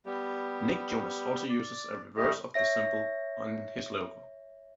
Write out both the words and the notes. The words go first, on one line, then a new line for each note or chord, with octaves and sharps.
Nick Jonas also uses a reverse of the symbol in his logo.
G3 B3 G4
D5
G3 A3 G4 D#5
C#5 E5 A#6